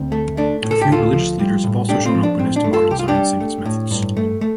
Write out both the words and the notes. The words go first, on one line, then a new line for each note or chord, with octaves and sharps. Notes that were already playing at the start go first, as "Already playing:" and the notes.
A few religious leaders have also shown openness to modern science and its methods.
Already playing: D2 C4
A3
A3 D4
A2
A4
G4
D2 F4 A4
F3
G3
A2
A3 D4 G4
C4 F4
F3
D4
A2 C4
D4
A3
F4 A4
C2 G4
F4
D4 G4
G3
A3
A2
G2
A3
A3